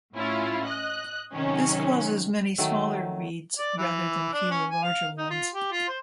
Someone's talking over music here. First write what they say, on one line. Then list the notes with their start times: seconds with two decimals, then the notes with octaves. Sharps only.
This causes many smaller reads rather than fewer larger ones.
0.15 A2 C#4 E4 F4
0.65 D#5 F#6
1.33 C3 D#3 F#3 C#4
2.58 D#3 F#3 A3
3.58 D5
3.77 E3
4.33 D4
4.51 C#4
4.70 G#5
4.83 F5
5.18 D#4
5.31 F4
5.54 G4
5.72 F4
5.89 C5